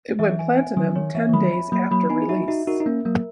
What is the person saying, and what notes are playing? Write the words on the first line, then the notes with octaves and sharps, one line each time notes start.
It went platinum ten days after release.
E3 E5
G#5
G#5
D#3 F#3 G#5
D#3 C#5
E3 E5
E3
D#3 F#3 B5
B5
F#3 A#3 B5
F#3 A#3 B5
B3 D#4 G#5
G#4
D#4 F#4 E5
D#4 F#4 E5
D#4 F#4 A#4
D#4
A#3 C#4 A#4
F#3 A#3 A#4